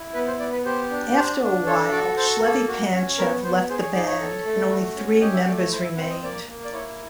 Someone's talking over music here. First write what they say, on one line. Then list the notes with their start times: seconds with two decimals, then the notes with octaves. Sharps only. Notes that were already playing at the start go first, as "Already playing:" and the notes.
After a while, Shlevi Panchev left the band and only three members remained.
Already playing: E4
0.14 B3 B4
0.27 C5
0.39 B3 D5
0.52 B4
0.65 G4 C5
0.91 D4
1.16 D4 C5
1.41 D4
1.66 A4 C#5
1.91 F#4 D5
2.17 A4 C5
2.42 A#3 A4
2.68 F#4
2.93 C#4
3.18 B3 A#4
3.44 B3 C5
3.70 G#4 C5
3.82 C#5
3.94 D#4 D5
4.07 C#5
4.20 A4
4.45 A3
4.70 F#4
4.96 C#4
5.21 G4 D#5
5.34 E5
5.47 A3 D5
5.59 C#5
5.72 E4 C5
5.85 E5
5.97 C4 F#5
6.10 D#5
6.23 A#3 D5
6.48 A#3
6.64 D5
6.73 E4 C#5